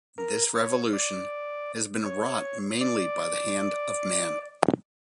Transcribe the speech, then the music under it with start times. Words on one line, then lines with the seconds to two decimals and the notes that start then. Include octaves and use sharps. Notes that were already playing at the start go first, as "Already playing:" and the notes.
This revolution has been wrought mainly by the hand of man.
0.18 A#4
0.55 C#5
0.93 D5
2.06 C#5
2.81 D5